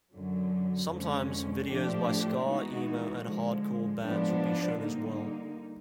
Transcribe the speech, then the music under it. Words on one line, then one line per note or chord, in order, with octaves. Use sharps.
Sometimes, videos by ska, emo, and hardcore bands would be shown as well.
F#2 D3 F#3
F2 D3 F3 G#3 C#4
A2 F3 A3 D4 G4
E3 G#3 B3 D#4 F#4
D3 F3 G#3
G#2 F3 G#3 B3 D4
D3 G3 A#3 D#4